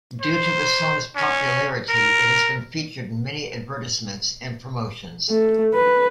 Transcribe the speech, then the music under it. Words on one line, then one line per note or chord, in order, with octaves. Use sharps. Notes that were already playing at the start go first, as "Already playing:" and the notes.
Due to the song's popularity, it has been featured in many advertisements and promotions.
C5
C#4
A#4
A3
B4